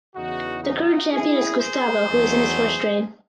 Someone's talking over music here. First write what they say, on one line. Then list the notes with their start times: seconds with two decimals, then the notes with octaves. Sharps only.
The current champion is Gustavo who is in his first reign.
0.15 E2 C#3 E3 D#4 F#4
0.63 D#4 F#4
1.12 E4 G#4
1.60 G#4 C5
2.08 E2 D#3 F#3 A3